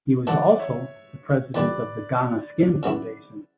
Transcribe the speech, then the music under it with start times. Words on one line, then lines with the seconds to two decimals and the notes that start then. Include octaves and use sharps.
He was also the President of the Ghana Skin Foundation.
0.27 E3 A3 E4 A4 D5 F#5
0.59 C#5 E5
1.54 E2 D3 G3 B4 D5
2.83 C#3 F#3 B3 E4